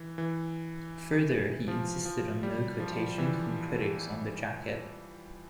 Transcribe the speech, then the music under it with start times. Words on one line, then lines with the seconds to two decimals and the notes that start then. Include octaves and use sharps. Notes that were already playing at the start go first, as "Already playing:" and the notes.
Further, he insisted on no quotations from critics on the jacket.
Already playing: E3
0.18 E3
1.68 F3
2.05 F3
2.43 G3
2.80 F3
3.18 E3